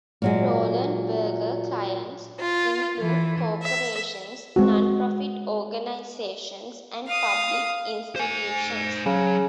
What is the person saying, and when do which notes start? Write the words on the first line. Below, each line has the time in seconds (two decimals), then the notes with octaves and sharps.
Roland Berger clients include corporations, non-profit organizations and public institutions.
0.22 A#2 F#3 G#3
2.39 F4
3.00 E3
3.63 E5
4.56 G#3 C4 F#4
7.07 F5 D#6
8.16 C5 G#5
9.06 C#3 F#3